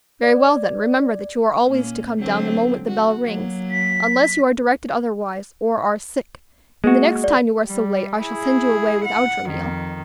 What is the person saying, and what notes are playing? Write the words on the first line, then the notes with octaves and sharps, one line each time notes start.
"Very well, then; remember that you are always to come down the moment the bell rings, unless you are directed otherwise, or are sick; and the next time you are so late, I shall send you away without your meal."
D5
A#2 A#3 C#4
D3 F#3 C4
F#4
F#3 A#3
B6
G#3 A#3 F#4
D5
G3
E4 G#4
F#5
F2 D#3